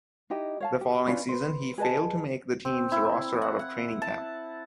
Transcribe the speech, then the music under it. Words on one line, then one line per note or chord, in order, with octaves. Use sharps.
The following season, he failed to make the team's roster out of training camp.
D#4 E4 G4 D#5
C#5 F5 A5
G4
C#4 D4 F4 B4
B4 C5
G#4 B4 D#5 A5
C4
E4
F#5
F#5
A5